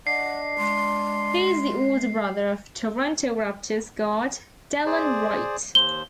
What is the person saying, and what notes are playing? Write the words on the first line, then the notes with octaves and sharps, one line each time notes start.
He is the older brother of Toronto Raptors guard Delon Wright.
D4 D#5 F#5 C7
G#3 C6
G#4 C5 D5
D#2 C5 G7